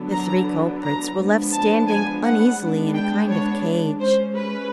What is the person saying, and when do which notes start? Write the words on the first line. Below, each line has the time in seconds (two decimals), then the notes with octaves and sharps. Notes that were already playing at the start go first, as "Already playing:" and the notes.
The three culprits were left standing uneasily in a kind of cage.
Already playing: D3 F#3 B3 D4
0.11 A#5
0.82 A#5
1.17 F3 G#3 B3 D4
1.52 A5
1.88 G#5
2.23 F#5
2.58 G#3 B3 D4
2.93 G5
3.29 C#5
4.00 G#3 C#4 C5
4.35 B4